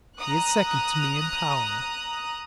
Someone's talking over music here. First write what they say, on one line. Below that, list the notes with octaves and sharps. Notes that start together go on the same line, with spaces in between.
He is second to me in power.
A#5 D#6 F#6